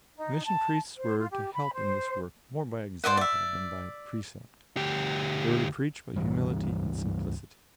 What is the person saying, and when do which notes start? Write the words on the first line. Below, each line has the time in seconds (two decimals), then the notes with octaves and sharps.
The Mission Priests were to help in this work more by example than by precept; they were to preach by humility and simplicity.
0.17 D#4
0.45 A5
0.97 C5
1.18 F4
1.32 G4
1.54 B5
1.73 C5
3.04 C5 D5 D#5 F#5
3.17 D5 E5
4.77 D2 G4
6.16 C#2 G2 E3 G3